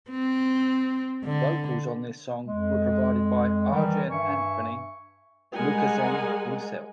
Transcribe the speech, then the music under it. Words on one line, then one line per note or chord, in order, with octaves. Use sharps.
Vocals on this song were provided by Arjen Anthony Lucassen himself.
C4
D3
F2 G#3
D#3 E3 G3
G2 E5 G#5 C#6
G3 G#3 A#4 D#5 F#5 G#5